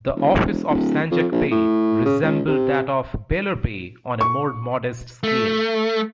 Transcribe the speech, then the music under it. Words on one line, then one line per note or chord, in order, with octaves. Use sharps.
The office of "sanjak-bey" resembled that of the "beylerbey" on a more modest scale.
E1
D1
F2
A#1
A2
C#3
C#2
C3
C#6
A3